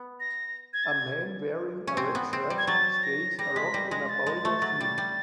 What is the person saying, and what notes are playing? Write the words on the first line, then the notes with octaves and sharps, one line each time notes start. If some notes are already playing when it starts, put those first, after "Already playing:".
A man wearing a red shirt scales a rock in a boulder field.
Already playing: B3
A#6
G#6
A6
G#6
C#4
C4
B3
C4
G3
G#6
F#3 A6
A#6
G3 A#6
G#3 B6
G3 A#6
G#3 A#6
A6
G#3
A3
F#3
G3
G3